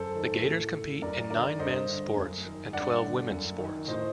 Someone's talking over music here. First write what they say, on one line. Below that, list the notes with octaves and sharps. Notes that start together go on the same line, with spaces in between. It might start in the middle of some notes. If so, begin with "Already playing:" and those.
The Gators compete in nine men's sports and twelve women's sports.
Already playing: F#2 A4 C5
D#3
A2
F#2 A#4 D5
D3 A#4 D5
G2 C5 D#5
D3
F#2
D#3
G2 D5 F#5
D3
F#2
D#3
A2 C5 D#5